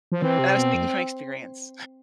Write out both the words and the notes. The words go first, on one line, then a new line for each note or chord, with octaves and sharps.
and I was speaking from experience.
F3
E3 C4
C3
B2
F2